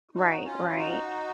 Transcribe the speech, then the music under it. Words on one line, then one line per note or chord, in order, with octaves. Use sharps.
Right, right,
D#4 F#4
C#4 F4
F4
D#4 F#4